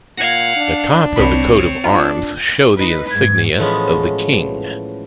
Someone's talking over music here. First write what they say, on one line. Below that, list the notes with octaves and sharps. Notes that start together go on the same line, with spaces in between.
The top of the coat of arms show the insignia of the King.
A#2 F5 F#5 G#6 A#6
D4
C2 C4 C#5 B5
D4 F4
D#4 B4
G#2 G#6
A2 E3 F3 G#3 B3 C#4